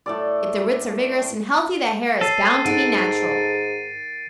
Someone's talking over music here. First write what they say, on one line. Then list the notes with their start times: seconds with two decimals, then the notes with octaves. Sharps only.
If the roots are vigorous and healthy, the hair is bound to be natural.
0.06 A2 A4 D5
2.21 A4 C#5 C7 D#7
2.65 G#2 D#3 F#5 A6 D7 D#7